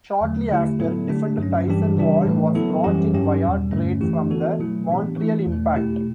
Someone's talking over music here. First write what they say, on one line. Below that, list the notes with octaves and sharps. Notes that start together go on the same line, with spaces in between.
Shortly after, defender Tyson Wahl was brought in via trade from the Montreal Impact.
E2 D3 F#3 A3
D3 A3 E4 G4
A2 F#3 B3 E4 A4
D3 A3 D4 G4
G2 F#3 C#4
G2 E3 G3 D4 G4
C#3 E3 G3 D4 G4
A2 E3 A3
F#3 B3 E4 A4
F#2 E3 G3 C#4 G4
G2 F#3 C#4 G4
E2 B2 G3
G2 D3 A3 C#4
F#2 E3 A3 E4 G4
E3 B3 F#4 A4
B2 F#3 A3 E4
A2 E3 B3 D4 G4
E3 A3 E4
E2 B2 A3
B2 A3 E4 G4